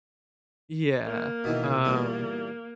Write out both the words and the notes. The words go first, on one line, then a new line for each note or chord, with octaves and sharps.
Yeah, um,
A#3
B2 D#3 E3
E2 G2 A#2 A#3